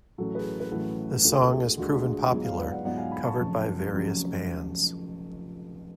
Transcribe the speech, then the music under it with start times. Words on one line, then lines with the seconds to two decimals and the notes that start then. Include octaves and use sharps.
This song has proven popular, covered by various bands.
0.18 A1 A2 F#3 C#4 F#4 A4
0.35 G#4 B4
0.60 B4
0.71 A1 A2 F#3 C#4 F#4 A4
1.24 D2 D3 G#3 D4 F4 F#4 A4
1.40 A4
1.51 G#4
1.78 D2 D3 G#3 D4 F4 F#4
1.88 F#4
1.96 G#4
2.13 G#4
2.31 G#2 F#3 B3 F4 G#4
2.44 C#5 F5
2.57 B4 D5
2.71 D5 F#5
2.85 G#2 F#3 B3 F4 D5 F#5
2.97 F5 G#5
3.11 G#5 B5
3.24 A5 C#6
3.38 F1 F2 C#3 F#3 C#4
3.91 F1 F2 C#3 F#3 C#4